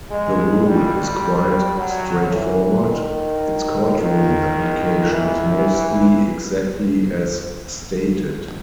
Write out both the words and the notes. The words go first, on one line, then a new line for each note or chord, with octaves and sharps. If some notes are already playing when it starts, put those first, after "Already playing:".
The rule is quite straightforward; its court room application is mostly exactly as stated.
G#3
G3
F#3
E3
D#3
D#3
E3